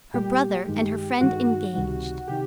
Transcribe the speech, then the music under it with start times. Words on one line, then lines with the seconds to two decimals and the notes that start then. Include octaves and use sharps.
Her brother and her friend engaged!
0.14 A#2 G3 G4
0.68 G2 D#3 G#3
1.21 G2 D#3 G#3 F#4
1.74 C#2 C3 D#3 G3
2.28 C3 D#3 G4